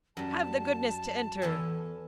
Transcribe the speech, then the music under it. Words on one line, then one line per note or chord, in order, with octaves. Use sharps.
'Have the goodness to enter.'
F#2 G3 A5
E2 A4 G#5